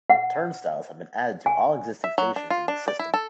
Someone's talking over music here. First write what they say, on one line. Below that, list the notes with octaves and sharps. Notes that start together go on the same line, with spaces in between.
Turnstiles have been added to all existing stations in the system.
F#5
G#5
E5
F#3
D4
F4
D4
D5
E4
A4